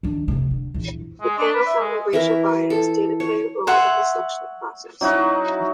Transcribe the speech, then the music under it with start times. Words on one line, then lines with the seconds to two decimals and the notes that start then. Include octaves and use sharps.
The panel found that racial bias did play a role in the selection process.
0.03 D#3 D4
0.28 D2 C3
0.51 D3
0.74 A#1 E2
1.21 G#3
1.38 D4
1.54 B4
1.66 E5
1.79 G#3
2.13 E3 E4 A#4
2.70 A4
3.20 C#5
3.67 C#5 E5 F#5 C6
5.01 F#3 D#4 E4 F#4